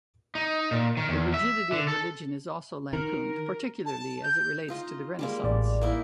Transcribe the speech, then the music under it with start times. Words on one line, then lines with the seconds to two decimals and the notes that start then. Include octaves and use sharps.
The rigidity of religion is also lampooned, particularly as it relates to the Renaissance.
0.35 D#4
0.71 A#2
0.97 D#3
1.09 E2
1.34 E5
1.72 D3
1.88 A4
2.93 D#3 A#4
3.86 A5
4.23 G6
4.68 D#4 F4 D#5
5.19 G3 G#3 A#3
5.44 A1 D5
5.81 A#3 D#4 E4